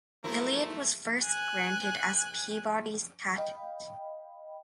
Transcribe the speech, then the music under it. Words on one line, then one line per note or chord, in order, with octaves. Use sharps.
Gilead was first granted as Peabody's Patent.
F3 F#3 G#3 A3 B3 E4 A#4
G#5 F#6
D#5 F5 G5 B5